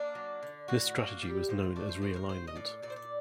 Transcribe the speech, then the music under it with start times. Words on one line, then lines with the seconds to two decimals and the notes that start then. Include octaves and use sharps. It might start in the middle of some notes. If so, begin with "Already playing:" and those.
This strategy was known as realignment.
Already playing: A#3 D4
0.15 F#3
0.43 D3
0.68 A2 F#4
0.95 A#3
1.22 G3 G4
1.49 A2 C5
1.76 A3 D5
1.89 C5
2.02 A2 C5
2.16 A#4
2.29 A3 C5
2.47 D#5
2.55 A2 D5
2.83 A#2 D5
2.90 C5
2.96 D5